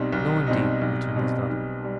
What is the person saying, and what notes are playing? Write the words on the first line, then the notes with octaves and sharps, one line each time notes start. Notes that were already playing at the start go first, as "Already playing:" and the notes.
'No, indeed,' returned his daughter.
Already playing: B1 B2 G3 C4 D#4
B1
B2 G3 C4 D#4
B1
B2 G3 C4 D#4
B1
G3